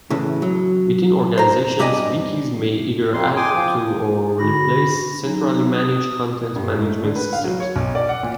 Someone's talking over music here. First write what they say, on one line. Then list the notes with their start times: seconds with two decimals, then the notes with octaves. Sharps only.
Within organizations, wikis may either add to or replace centrally managed content management systems.
0.10 A2 C#3 E3
0.42 F#3
1.38 C5 A#5
1.79 G2 G4 D5 D#5 G#5
3.14 F2 C6
3.37 G5 G#5 C6 D6 D#6
3.53 F3
4.39 D3 F#4 B5 A#6
5.23 F#3 D#4
5.73 D#6
6.56 G2
6.74 G#2
6.87 A3
7.03 D3
7.16 B4
7.33 F5
7.44 F#3
7.60 C#5
7.76 B1
7.95 D5
8.09 F#5
8.23 A#2